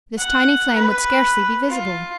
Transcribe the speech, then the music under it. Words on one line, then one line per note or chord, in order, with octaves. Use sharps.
This tiny flame would scarcely be visible.
F#5
B4
F4